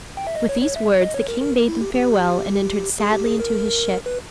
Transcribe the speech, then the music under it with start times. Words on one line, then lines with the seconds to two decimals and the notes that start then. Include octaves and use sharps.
With these words the king bade them farewell and entered sadly into his ship.
0.17 G5
0.27 E5
0.35 D#5
0.49 C#5
0.62 C#5
0.76 E5
1.02 D#5
1.14 C#5
1.28 A#4
1.42 A#4
1.68 E4
1.81 G4
1.94 G4
3.00 G#4
3.13 G4
3.26 G#4
3.40 A#4
4.06 B4